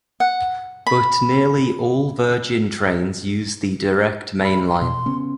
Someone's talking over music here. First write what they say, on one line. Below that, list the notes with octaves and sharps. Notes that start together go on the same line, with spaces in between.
But nearly all Virgin trains use the direct main line.
F#5
B5
B5
C6
B2
C#3 B3 C#4